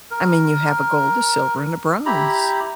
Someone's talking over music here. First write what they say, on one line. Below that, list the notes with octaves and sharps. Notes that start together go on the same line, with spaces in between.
I mean, you have a gold, a silver, and a bronze.
A#4
E4 G4 A#5 B5